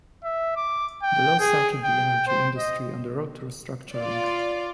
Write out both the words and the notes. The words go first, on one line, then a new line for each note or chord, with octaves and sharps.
The law started the energy industry on the road to restructuring.
E5
D6
G5
G#4
G5
C5
D#5
F4 D5